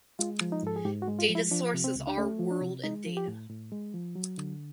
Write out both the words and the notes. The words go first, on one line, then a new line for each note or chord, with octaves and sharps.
Data source is Our World in Data.
G#3 F4
F3
D#4
G#2 A4
G#4
G#2 G4
F#4
G#3
F4
F3
E4
F3 D4
C3
C4
C#2
D4
A3 C#4
F3
D4
C3
G#3 D#4
F3
G4
A2
A2
G#3
F3
F#3
D3